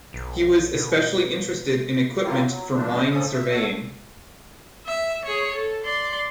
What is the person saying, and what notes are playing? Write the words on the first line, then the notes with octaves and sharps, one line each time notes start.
He was especially interested in equipment for mine surveying.
B1
B2
E3 F#3 E4 F4 G4
F#3
G2 D3 E3 A3 D4
A2 F3 C#4 A4 D#6
E5
A4 C#5 E5 F#5
E5
G#4 C#5
A4
D5 C6